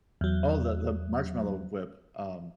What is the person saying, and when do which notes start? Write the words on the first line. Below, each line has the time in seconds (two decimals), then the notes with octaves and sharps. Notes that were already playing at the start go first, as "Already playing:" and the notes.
Oh, the the marshmallow whip, um,
0.21 E2 F#3